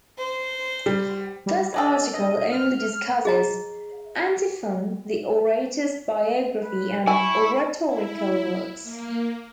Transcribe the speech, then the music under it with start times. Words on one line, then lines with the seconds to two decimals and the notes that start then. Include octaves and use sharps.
This article only discusses Antiphon the Orator's biography and oratorical works.
0.18 C5
0.86 G3
1.46 G3
1.74 F#3 D4 A4 D#5
2.13 D#5
2.52 F6
3.25 G#4 D#5 A#5
6.63 B4
7.07 E4 G#5 C#6
7.86 E4
8.83 A#3